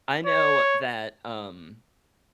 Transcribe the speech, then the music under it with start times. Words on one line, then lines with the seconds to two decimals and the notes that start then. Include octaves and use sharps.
I know that, um
0.26 C#5